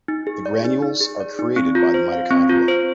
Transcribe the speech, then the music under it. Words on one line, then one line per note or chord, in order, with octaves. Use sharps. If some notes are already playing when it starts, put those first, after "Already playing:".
The granules are created by the mitochondria.
D#4
G#4
D5
D#4
D#4
G#4
D5
D#4
C4
F4
C5
F5
C4
F4
C5